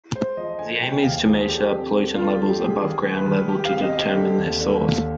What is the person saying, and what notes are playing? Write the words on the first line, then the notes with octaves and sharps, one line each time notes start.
The aim is to measure pollutant levels above ground level to determine their source.
G#3 C5
F3 D#5
D3 G#5
G#3 G5
D#2 F5
F3 G#4
D3 G4
C4
D3
D3 F4
G4
D3
G4
G#3 G#4
D#3 G#4
G#3
B4
D#3
G#3 G4
F5
C4
D#5
C4
G4
D3
D#2
D3
D#2